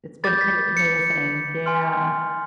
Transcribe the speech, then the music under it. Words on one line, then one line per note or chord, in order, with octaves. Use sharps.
It's been pretty amazing, yeah.
B5 D6 G6 A6
B6
C#7
G#5 C6 F6